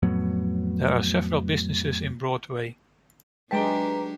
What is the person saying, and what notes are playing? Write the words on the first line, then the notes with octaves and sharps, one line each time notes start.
There are several businesses in Broadway.
F2 A2 F#3 B3
F#3 G#3 D4 G4 B4 G5 A5 A#5